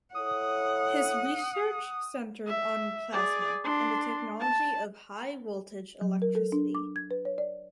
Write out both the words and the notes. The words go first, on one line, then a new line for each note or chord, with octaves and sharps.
His research centered on plasma and the technology of high voltage electricity.
E4 A4 C#5 F#5 D#6
E5
G#4 D5
D4 C6
A5
F#3
A#4
A4
D4
D6
G#6
B4
C#5
D5